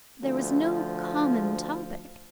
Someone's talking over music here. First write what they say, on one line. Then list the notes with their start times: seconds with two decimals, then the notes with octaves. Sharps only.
There was no common topic.
0.23 D2 F3